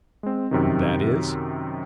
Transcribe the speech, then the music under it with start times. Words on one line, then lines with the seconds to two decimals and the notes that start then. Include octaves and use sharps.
"And that is--?"
0.23 G#3 C4
0.51 F#2 C3 D#3